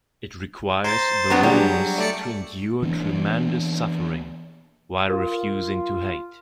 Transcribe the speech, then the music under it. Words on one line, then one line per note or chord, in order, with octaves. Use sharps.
It requires the willingness to endure tremendous suffering while refusing to hate.
C5 A#5 A6
F#3 B3 D4 A#5
F#3 G3 D4 G#4 D5
A3 D5 C#7
E3 A#3 B3 D4
F4 A#4